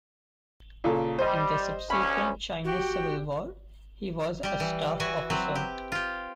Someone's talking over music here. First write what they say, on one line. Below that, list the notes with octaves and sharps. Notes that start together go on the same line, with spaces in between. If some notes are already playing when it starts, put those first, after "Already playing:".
In the subsequent Chinese Civil War he was a staff officer.
A#2 C#3 A4
G3 C5 D#5
D2 C#4 B5
F#4 G4 G5
G3 G4
E3
E3 E4 F#4 G#5
F#3 C4 B4
G4
F4 G4